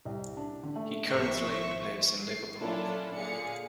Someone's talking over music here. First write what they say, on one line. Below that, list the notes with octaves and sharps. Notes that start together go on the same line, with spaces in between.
He currently lives in Liverpool.
C2
D4
D3
A3
G#1 F3 C5 E5 C#6
C7
F#3 C#4 D4 E4 F4 A4
A#2 D3 G#4 F5 C#7